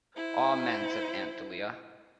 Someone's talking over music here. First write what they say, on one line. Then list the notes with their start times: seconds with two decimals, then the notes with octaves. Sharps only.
"Amen," said Aunt Dahlia.
0.16 E4 C5